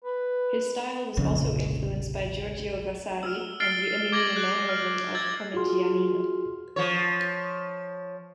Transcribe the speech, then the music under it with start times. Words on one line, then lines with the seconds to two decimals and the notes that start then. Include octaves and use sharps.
His style was also influenced by Giorgio Vasari and the Emilian mannerism of Parmigianino.
0.04 B4
1.17 F1 A#1 F2 C#3
3.23 E6 F6
3.60 F6 A6 C7 D7 G7
4.12 D6 G#6 A#6 D7 F#7
4.36 F#6 D7 F#7
4.69 F6
5.15 E6 G#6 A6
5.54 F4 F#4 G#4 C6 F6
6.76 F3 C#5